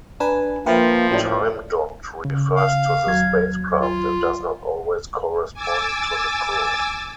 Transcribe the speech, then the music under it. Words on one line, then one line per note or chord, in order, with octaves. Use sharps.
"Time docked" refers to the spacecraft and does not always correspond to the crew.
D4 B4 G#5 A#5
F3 A#3 B4 C5 E5 G5 B5
A2 C#4 F#4 D5
C#3
F5
D#2 F#3 G#6
F4
G#5 D6 E6 A6